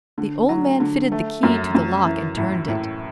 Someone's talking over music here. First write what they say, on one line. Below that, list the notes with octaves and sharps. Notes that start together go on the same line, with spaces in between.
The old man fitted the key to the lock and turned it.
D3
F#3
D3
A3
F#2
F#2
E3
A2
A2